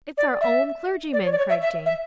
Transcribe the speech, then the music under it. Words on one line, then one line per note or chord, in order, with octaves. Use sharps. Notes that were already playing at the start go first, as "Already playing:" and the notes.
'It's our own clergyman,' cried Jane.
D5
E5
D5
C#5
D5
C#5
E5
E5
E5